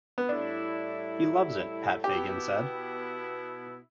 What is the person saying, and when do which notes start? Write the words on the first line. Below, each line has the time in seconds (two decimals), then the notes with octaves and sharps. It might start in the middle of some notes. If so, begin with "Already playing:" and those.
"He loves it," Pat Fagan said.
0.18 B3
0.29 A2 G3 D4 E4
2.04 B2 B3 E4 G4